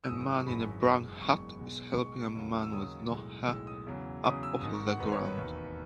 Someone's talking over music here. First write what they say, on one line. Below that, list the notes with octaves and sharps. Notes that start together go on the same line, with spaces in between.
A man in a brown hat is helping a man with no hair up off the ground.
E6
G#1 F#2 E3 G#3 D#6
D#6
C#6
G#1 F#2 E3 G#3 B5
F#1 E2 B2 G#3
F#1 E2 B2 G#3 C#6
B1 B2 G#3
B1 B2 G#3 C#6
D#2 C#3 F#3
E6
D#2 C#3 F#3 D#6
B1 A2 G#3
B1 A2 G#3 E6
D#6
E2 C#3 F#3
E2 C#3 F#3 D#6
E6
G#1 G#2 D#3 D#6
C#6
F#5
G#1 G#2 D#3 B4
C#5
B4
E1 D#2 D#3